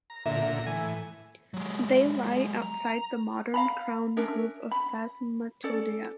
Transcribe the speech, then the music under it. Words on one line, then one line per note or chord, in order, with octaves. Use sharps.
They lie outside the modern crown group of Phasmatodea.
A#5
A#2 D3 E5
A2 E3 G#5
F#3 G#3
A#5
F5 A#5 B5
C#4 D4 A#4 E5
B5
C#4 A4 D5